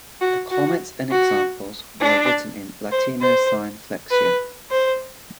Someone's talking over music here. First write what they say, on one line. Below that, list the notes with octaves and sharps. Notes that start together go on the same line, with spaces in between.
The comments and examples were written in "Latino sine flexione".
F#4
F#4
F#4
D4
C5
C5
B4
C5